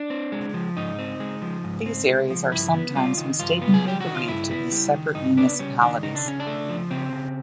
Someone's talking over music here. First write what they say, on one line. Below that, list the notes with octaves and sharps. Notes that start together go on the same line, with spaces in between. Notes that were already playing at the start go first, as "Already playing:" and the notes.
These areas are sometimes mistakenly believed to be separate municipalities.
Already playing: D4
C4
G#3
F3
G#2 D#4
C4
G#3
F3
G#2
C4
G#3
F3
G2 E4
B3
G3 F4
D#3
G2 F4
B3
G#4
G3 G4
D#3 F#4
F4
G2 E4
B3
G3
D#3
G2 D#4
B3 D4
G3 C#4
D#3 D4
C#3 D#4
D4
C#3 C#4
D4
A3
F3
C#3 C4
C#3